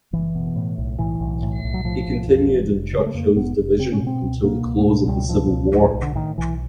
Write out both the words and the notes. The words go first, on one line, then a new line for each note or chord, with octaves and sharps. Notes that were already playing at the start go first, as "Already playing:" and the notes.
He continued in Churchill's division until the close of the Civil War.
F#1 E3
B2
A2
B1
A2 E3
B1
A2
B1
F#3
A2 F3
B1
F2
F1
F1
C#3
G#3
A3
F2 A#3
F1 B3
F1
C#3 C4
C#4
B2
C4
C#2
B2 A#3
C#2
A#3
B2 A3
C#2 G3
B2 F3
C#2
A2
B1
D3
A2 D#3
B1 E3